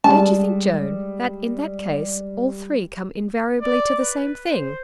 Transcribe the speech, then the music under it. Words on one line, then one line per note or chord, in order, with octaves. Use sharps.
Don't you think, Joan, that in that case, all three come invariably to the same thing?'
G3 G#3 A5
D5
B4
C5